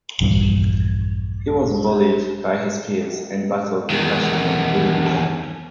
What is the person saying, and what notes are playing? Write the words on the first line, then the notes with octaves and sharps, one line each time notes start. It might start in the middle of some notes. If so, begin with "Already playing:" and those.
He was bullied by his peers and battled depression and bulimia.
A#1 E2 G2 G3
E2 D#3